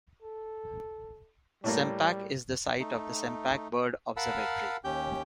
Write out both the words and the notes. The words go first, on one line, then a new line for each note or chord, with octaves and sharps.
Sempach is the site of the Sempach Bird Observatory.
A4
A2 G3 A3 A#3
A3 D#4
A#4 F5 F#5 A5 B5 E6
D#2 C#4 G4 G5 G6